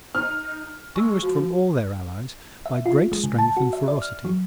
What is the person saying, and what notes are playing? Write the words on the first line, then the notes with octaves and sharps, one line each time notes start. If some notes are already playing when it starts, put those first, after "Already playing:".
'Distinguished from all their allies by great strength and ferocity.'
D#4 F6
G#3 C#6 E6
F3 F#4
E5
F4
G#3
C#3
A5
F#4
E5
D5
F6
F#3